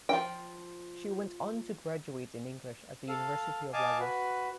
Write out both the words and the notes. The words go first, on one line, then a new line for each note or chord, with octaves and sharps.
She went on to graduate in English at the University of Lagos.
F3 G5
A4 F5
D#5 F5 G#5 A5 D6
F#4 B4